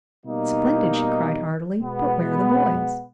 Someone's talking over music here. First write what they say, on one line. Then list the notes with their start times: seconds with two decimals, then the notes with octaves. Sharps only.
"Splendid," she cried heartily; "but where are the boys?"
0.24 B2 G3 A#3 D#4
1.80 B2 G#3 B3